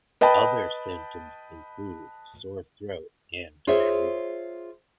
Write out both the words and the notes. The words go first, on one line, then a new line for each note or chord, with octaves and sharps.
Other symptoms include sore throat and diarrhea.
B4 D#5 G5 A5 B5
F4 G#4 C5 C#5 E5